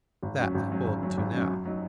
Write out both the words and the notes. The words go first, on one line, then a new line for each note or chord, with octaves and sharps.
That I hold to now.
G#1
F#2 F#3 C#4
G#1
F#2 F#3 C#4
G#1
F#2 F#3 C#4
G#1
F#2 F#3 C#4
F#2
F#3 D#4